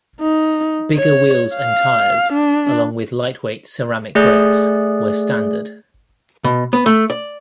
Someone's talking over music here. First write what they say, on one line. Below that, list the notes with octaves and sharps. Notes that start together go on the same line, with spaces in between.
Bigger wheels and tires along with lightweight ceramic brakes were standard.
D#4
C#5
F5
D4
A3 G#4 D5 F#6
B2
B3
A3
D5